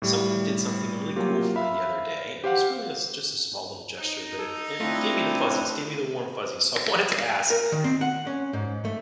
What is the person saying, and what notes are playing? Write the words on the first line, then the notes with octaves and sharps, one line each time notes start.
Someone did something really cool for me the other day, and it was really a just a small little gesture, but it it gave me the fuzzies, gave me the warm fuzzies. So, I wanted to ask,
A2 G3
F#3 A#3 F4 G4
E5 F5 B5
G4 C5 F5 F#5
D#4
A4
A3 C4 D4 E4 F4
A#4
D#3
C4
F#5
C#4
G#2
A3